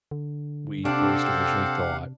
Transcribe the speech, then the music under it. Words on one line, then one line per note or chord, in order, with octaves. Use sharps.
we first originally thought,
D3
C3 C4 D4 G4 A4 F5 F#5